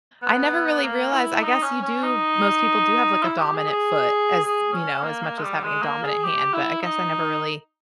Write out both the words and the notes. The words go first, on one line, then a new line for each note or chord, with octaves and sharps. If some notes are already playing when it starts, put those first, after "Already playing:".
I never really realized I guess you do most people do have, like, a dominant foot as, you know, as much as having a dominant hand, but I guess I never really,
B3
A#3
E4
D#4
C#4
C#4
D#4
E4
G4
G#4
G#4
G#4
C#4
A#3
A#3
G#3
G3
G#3
A#3
G#4
G4
E4
D#4